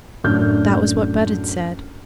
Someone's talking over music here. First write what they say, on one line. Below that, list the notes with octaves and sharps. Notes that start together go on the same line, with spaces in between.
That was what Budd said.
F#2 A2 D4 F6 G6